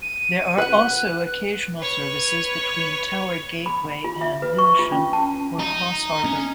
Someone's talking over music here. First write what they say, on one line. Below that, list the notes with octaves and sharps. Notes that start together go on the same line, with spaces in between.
There are also occasional services between Tower Gateway and Lewisham or Crossharbour.
D#7
B4 F#5 F#6
B4 C#5
B5
F4
E5
B4
C#6
F4
C#4
A5
D#5 A#5
C#4